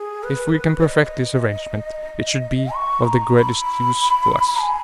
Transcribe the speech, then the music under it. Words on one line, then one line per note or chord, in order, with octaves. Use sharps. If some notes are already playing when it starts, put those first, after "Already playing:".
If we can perfect this arrangement it should be of the greatest use to us.
Already playing: G#4
B4
A#4
B4
D#5
C#6
A#5
B5
G#5